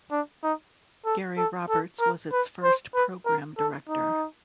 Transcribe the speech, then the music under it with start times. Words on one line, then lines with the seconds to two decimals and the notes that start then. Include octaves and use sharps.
Gary Roberts was its first Programme Director.
0.11 D4
0.43 D#4
1.06 A4
1.38 A4
1.69 A4
2.00 A#4
2.32 B4
2.64 C5
2.95 B4
3.26 A#4
3.58 A4
3.89 D#4